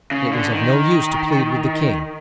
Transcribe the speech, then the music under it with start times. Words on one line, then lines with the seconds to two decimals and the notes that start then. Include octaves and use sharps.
It was of no use to plead with the king.
0.11 C#3
0.32 D3
0.52 D#3